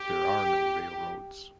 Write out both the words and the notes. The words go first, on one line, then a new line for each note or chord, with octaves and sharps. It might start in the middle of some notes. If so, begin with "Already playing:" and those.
There are no railroads.
Already playing: G4